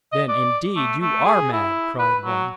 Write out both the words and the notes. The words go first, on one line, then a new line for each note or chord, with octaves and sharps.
"Then indeed you are mad," cried one.
D#5
D5
A3
A3
G#4
E4
B4
F#3